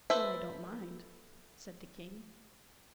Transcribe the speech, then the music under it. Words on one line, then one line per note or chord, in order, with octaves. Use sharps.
"Well, I don't mind," said the king.
A4 B4 C5 E5